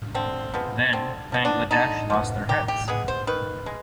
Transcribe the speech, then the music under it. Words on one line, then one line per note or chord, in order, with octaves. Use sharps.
Then, Bangladesh lost their heads.
D3 C4
F3 G#3 B3
D3 C4
F3 B3
D4
D3 D#4
F3 B3
D#3 G4
G4
G#3 B3 G#4
C5
D#3 B4
G#3